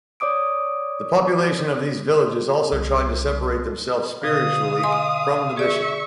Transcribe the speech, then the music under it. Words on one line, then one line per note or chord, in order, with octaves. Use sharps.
The population of these villages also tried to separate themselves spiritually from the bishop.
C#5 D5 D6 D#6 D7
C2
B2 D3 F5 D#6
D#5 G#5 C6
G#4 D5 E5 C#6